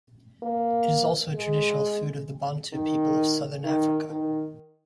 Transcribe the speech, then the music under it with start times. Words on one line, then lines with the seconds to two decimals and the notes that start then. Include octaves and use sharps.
It is also a traditional food of the Bantu people of Southern Africa.
0.43 A#3
1.35 G#3
2.73 D#3
3.64 D#3
4.10 D#3